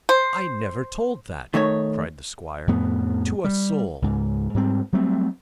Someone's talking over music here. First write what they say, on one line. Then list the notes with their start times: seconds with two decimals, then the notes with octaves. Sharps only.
"I never told that," cried the squire, "to a soul!"
0.09 C5
1.54 D#3 A3 D#4 C#5
2.67 F2 A2 B3
3.44 G3
4.02 C#2 G#2
4.54 G#2 G3 C4
4.93 F#3 G3 A3 C4